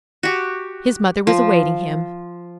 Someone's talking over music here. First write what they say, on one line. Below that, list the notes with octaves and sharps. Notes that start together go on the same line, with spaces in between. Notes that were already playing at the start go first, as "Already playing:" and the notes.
His mother was awaiting him.
F#4 G4
F3